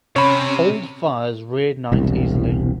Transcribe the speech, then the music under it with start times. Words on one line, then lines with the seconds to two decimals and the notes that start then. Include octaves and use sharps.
Old fires reignite easily.
0.16 C3 C#4 C#5 B5
1.92 E1 C2